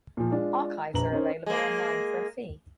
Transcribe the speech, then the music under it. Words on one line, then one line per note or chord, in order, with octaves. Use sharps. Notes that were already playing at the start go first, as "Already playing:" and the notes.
Archives are available online for a fee.
A#2 F3
G#3 D4 F4
A#1 B4 A#5 F#7
C#4 D#4 A#4 C5
G#3 A#3